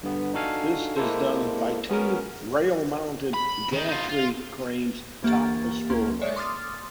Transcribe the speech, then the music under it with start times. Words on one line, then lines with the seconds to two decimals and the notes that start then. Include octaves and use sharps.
This is done by two rail-mounted gantry cranes atop the spillway.
0.03 G2 D3 B3
0.34 D4 D#4 F#4 A4 F5 G#5
0.96 G#3 A#3 E4 A4 C5
1.89 B3 C#4 F#4 A#4
3.34 B5
3.72 D#3 D#4
3.88 D#4 F4
4.09 F4
5.23 D2 E3 A#3 G4 C#6 A6
5.90 C#2 A#3 C#4 C6
6.21 G#3 C#5 D5 E5
6.36 C6 D6 D#6 F6 A6